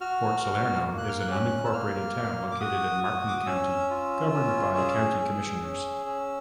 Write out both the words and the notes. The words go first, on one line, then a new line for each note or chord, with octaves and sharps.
Port Salerno is an unincorporated town located in Martin County, governed by County Commissioners.
F#4 F6
F#4
A#3
F#6
F6
F#6
C#4
E6
A#3 F6
A#3
D6
F#4 D#6
F#4
D6
D#6
C#4 E6
F4
C#4
G#4
G#4
C#4
C#4